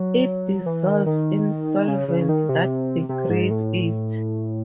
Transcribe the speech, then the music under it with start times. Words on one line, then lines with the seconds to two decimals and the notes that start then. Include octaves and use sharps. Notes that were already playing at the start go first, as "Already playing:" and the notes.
It "dissolves" in solvents that degrade it.
Already playing: F#3
0.66 E3
0.86 D#3
1.06 D#3
1.88 C#3
2.08 C#3
2.29 D#3
2.49 C3
3.09 C3
3.30 G#2
3.50 A2